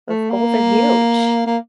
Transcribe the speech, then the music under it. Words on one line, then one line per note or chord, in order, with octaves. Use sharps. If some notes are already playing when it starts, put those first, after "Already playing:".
Those goals are huge.
A3
A#3
A#3